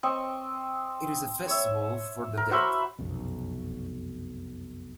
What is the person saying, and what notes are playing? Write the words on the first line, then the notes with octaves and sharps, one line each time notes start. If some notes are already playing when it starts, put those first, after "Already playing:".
It is a festival for the dead.
C4 D#5 C#6
C#5 E5
A#4
F#4 C5 E5 B5
F1 B1 F#2